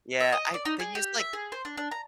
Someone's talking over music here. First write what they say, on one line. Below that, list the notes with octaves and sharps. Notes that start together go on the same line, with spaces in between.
Yeah, I they use, like
E5
D#5
D5
D#4
G#4
G4
E5
G#4
C5
D4
D4
A#5